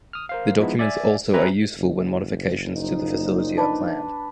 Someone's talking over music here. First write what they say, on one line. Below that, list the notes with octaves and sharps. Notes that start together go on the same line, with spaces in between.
The documents also are useful when modifications to the facility are planned.
D#6 F6
A#4 C5 F5
F3 G#3 B3 D#4 E4
D5 E5 G#5
C4 G4 B4 E5 G#5 A#5
F#1
A#2 F3 D#4
D4 B4